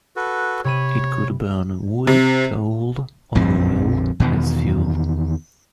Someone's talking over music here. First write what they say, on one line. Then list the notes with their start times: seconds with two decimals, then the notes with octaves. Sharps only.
It could burn wood, coal, or oil as fuel.
0.16 F#4 A4 B4
0.64 C3 C#5 B5 D#7
2.07 C3
3.35 A#1 F2 D3 C4
4.20 E2 B2 D#3